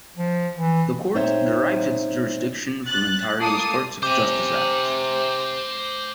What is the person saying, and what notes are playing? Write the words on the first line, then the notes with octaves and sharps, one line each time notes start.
The court derives its jurisdiction from Ontario's "Courts of Justice Act".
F3
E3
A#2 C4 D#4 C5 C#5 E5
F#6 A6
A#3 A4 A5 D6 D#6 C7
C3 C5 G#5 D6